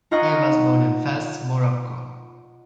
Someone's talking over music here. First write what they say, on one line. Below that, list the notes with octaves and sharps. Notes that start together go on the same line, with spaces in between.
He was born in Fes, Morocco.
D#4 F4 C#5 D#5 F#5 A#5